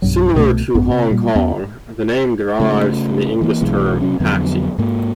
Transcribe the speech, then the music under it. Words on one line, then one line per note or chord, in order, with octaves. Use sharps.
Similar to Hong Kong, the name derives from the English term "Taxi".
B1 G2 F#3
C2 B2 F#3 A3
G#1 F#2 B3
C3
A#2 G3 A#3
E2 B3 C#4
C#3 A3
E3 A#3
B1 B2 E3 G#3
C3 F#3 C#4
F2 D3 F#3 B3
G#2 A#3